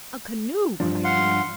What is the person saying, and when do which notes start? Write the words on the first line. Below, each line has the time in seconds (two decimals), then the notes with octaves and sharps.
"A canoe!" cried he.
0.80 G2 F3 D4
1.04 F5 F#5 C6